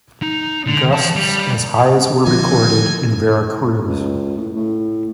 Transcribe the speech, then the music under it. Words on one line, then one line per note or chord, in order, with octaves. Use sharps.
Gusts as high as were recorded in Veracruz.
D#4
D3
E3 A5
G3
D3 D#3 F3 A4 D#5 G#5
C#2
A2
A2